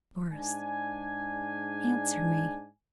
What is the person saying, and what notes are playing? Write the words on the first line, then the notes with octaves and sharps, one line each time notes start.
"Doris, answer me."
G#2 D4 G#5